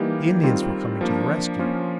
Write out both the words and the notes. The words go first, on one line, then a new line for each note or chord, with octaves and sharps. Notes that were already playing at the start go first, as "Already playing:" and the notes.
The Indians were coming to the rescue!
Already playing: E3 G3 A#3 D#4 G4
D#3 G3 C4 F4
F3 A#3 D4
F3 A#3 C#4 F4